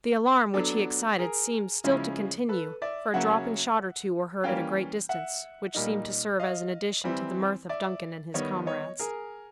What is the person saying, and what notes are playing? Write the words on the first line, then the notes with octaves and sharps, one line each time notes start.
The alarm which he excited seemed still to continue, for a dropping shot or two were heard at a great distance, which seemed to serve as an addition to the mirth of Duncan and his comrades.
F#3 B3 D4 A4
G#4 A#4
C#3 F3 G#3 C#4 E4
A4 B4
D5 E5
C#3 F#3 A#3 C#4 E5 F#5
E3 G3 A#3 C#4 F5 G5
E5 F#5
A#2 G3 A#3 D#4
D#5 F5
E3 G3 C4 E4
D5 E5
D#3 G3 B3 D#4 C#5 D#5
C#5 D#5
G#4 A#4